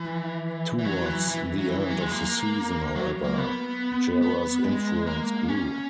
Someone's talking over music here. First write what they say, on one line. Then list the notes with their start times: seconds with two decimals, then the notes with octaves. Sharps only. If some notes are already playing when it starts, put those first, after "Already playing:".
Towards the end of the season, however, Gera's influence grew.
Already playing: E3
0.78 E3
0.85 F#3
1.06 E3
1.27 E3
1.58 F#3
1.69 E3
1.80 E3
1.90 F#3
2.01 G#3
2.12 A#3
2.95 F#3
3.24 A#3
3.38 B3
4.22 B3
4.64 G#3
5.07 A#3
5.48 C#4